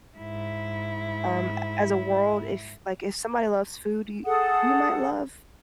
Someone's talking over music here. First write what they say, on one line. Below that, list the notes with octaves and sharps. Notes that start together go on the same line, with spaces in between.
um, as a world if, like, if somebody loves food, y we might love,
G#2 E4
G#4 A4 F#5 D#6